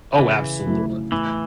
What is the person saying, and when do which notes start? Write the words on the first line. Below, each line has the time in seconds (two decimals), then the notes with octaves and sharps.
Oh, absolutely.
0.19 C#3 E3
0.65 F#3 A3 E4
1.12 A2 E3